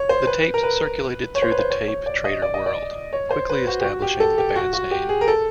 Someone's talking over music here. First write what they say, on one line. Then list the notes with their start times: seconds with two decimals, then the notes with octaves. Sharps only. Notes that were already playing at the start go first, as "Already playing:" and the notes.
The tapes circulated through the tape trader world, quickly establishing the band's name.
Already playing: C#5
0.09 C5
0.27 B4
0.54 A#4
0.63 B4
1.35 C#5
1.42 C5
1.52 B4
1.59 C5
1.71 C#5
1.88 C#5
2.06 D5
2.24 D#5
2.42 D5
2.54 D#5
2.66 D5
3.13 C#5
3.31 C5
3.50 B4
3.67 F#4
3.81 G4
3.84 F#4
4.02 G4
4.20 A4
4.38 G4
4.56 F#4
4.73 F#4
4.91 G4
5.09 G#4
5.21 A#4
5.28 A4